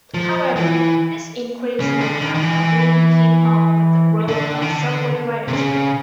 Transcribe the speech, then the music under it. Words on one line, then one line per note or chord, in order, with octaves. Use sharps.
However, this increase will not likely keep up with the growth of subway ridership.
F3
E3
C#3
D3
D#3
D#3
E3
D3
D#3
D3
C3
C#3